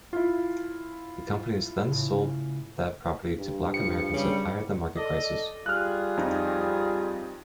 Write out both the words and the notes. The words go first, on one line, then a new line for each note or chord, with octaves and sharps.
The companies then sold that property to black Americans at higher-than-market prices.
E4 F4
A2 C#3
G2
F3 C#7
C#3 G3
A4 D5 D#5
G3 F4 G#4 F6 F#6
F2 D#4